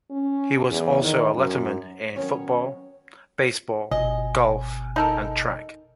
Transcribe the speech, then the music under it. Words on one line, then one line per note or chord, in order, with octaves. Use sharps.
He was also a letterman in football, baseball, golf and track.
C#4
E2
D#3
F#2
D#3 F#3 B3 C#4 C#5
G1 B2 D#5 G#5
D#4 A4 A#4